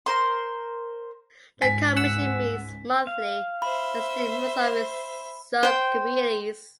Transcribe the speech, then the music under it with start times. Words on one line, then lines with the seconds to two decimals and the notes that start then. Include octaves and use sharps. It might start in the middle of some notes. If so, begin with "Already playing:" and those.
The commission meets monthly, as do most of its sub-committees.
0.06 A#4 C5 C6
1.62 C#2 G#2 G#5 B6
1.96 F#5 E6
3.07 F5
3.62 C5 E5 B5
5.63 C5 G5